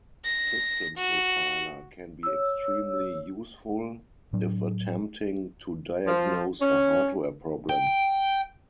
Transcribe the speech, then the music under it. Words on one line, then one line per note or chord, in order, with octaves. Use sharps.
System Profiler can be extremely useful if attempting to diagnose a hardware problem.
A#6
F#4
C#5 E6
A2 F#3 D4
F3
C#4
G5